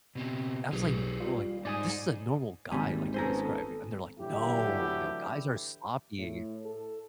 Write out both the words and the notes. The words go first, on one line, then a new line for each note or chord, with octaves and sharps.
I was like or, like, "This is a normal guy," like, "you're describing," and, they're like, "No," you know, "guys are sloppy."
B2 B3 C4
B1 G4 G#4 B4
G3 F4
G#2 D#4 D5 G#5 D#6
G#1 D#2 G3 G#5
B3 C#4 A4 C5 G#5 A#5
A2 D3 E3 F#3 E4 G4
A2
A4